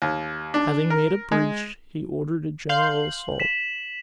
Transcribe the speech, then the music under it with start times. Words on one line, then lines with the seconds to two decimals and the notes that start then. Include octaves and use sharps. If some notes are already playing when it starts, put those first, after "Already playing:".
Having made a breach, he ordered a general assault.
0.02 D#2
0.54 D4
0.90 A#4
1.32 G#3
2.69 F5 C6 G6 F#7
3.40 B6 E7